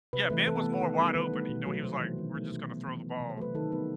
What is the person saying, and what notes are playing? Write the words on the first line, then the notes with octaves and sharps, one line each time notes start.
Yeah, Ben was more wide open, you know, he was like, "We're just gonna throw the ball"
C3 B4
E3 A3 B4
E3 A4
B3
A3
B4
D#3
G3 B3
D#3 B4
A3
B2
F#3 A3
C3 C5
E3 A3
D#3
A3
B2
F#3 B3
E3
A3
C3
C5
F#3 A3 B4
D#3 A4
G3 B3 B4